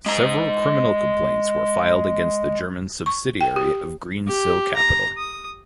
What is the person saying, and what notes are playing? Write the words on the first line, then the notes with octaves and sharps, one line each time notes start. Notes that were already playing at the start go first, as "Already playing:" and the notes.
Several criminal complaints were filed against the German subsidiary of Greensill Capital.
G#3 A#5
C#6
G5
G4
G4
A#5
D#6